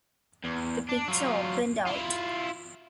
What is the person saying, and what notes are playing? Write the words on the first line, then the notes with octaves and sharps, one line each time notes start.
The picture opened out.
E2
D4
F#3 F4
E4 F4